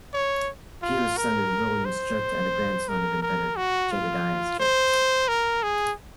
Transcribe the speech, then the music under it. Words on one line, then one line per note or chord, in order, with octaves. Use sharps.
He was son of William Strutt and the grandson of the inventor Jedediah Strutt.
C#5
F4
A#4
C5
A#4
A#4
F#4
F4
C5
A#4
G#4